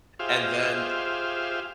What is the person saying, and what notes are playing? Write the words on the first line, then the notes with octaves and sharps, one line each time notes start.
And then,
F4 G4 G#4 C5 E5 F5